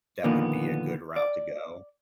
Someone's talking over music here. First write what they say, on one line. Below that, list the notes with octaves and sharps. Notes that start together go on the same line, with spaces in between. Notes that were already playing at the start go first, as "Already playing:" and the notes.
that would be a good route to go.
A#2 D3 D#3 F3 A#3 B3
D5